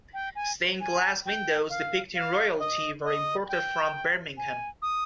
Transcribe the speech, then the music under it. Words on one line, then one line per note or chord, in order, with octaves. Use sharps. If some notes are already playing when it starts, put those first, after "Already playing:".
Stained glass windows depicting royalty were imported from Birmingham.
G5
G#5
G#5
G5
F5
F5
D#5
D#5
G5
G#5
D#6